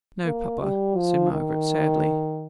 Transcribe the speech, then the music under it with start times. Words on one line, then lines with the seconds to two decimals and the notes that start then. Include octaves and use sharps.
'No, papa,' said Margaret, sadly.
0.26 A#3
0.61 G3
0.96 F3
1.32 D#3